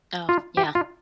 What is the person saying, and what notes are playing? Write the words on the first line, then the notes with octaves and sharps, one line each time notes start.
Oh, yeah.
F4
G4
F4